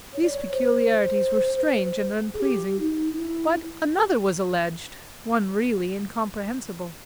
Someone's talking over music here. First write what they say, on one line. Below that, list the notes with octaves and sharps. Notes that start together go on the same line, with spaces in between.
These peculiarities were strange and unpleasing; but another was alleged, one really incomprehensible.
C#5
D5
C#5
C5
G#4
G4
D#4
D#4
E4